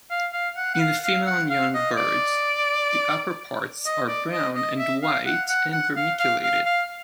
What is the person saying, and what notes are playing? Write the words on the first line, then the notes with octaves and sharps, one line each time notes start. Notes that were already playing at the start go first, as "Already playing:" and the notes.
In the female and young birds, the upperparts are brown and white and vermiculated.
F5
F5
F#5
F#5
F5
F5
F#5
F5
D#5
D5
D#5
D5
D#5
D#5
E5
F5
F#5
F#5
F#5
F5
F5
F5
F5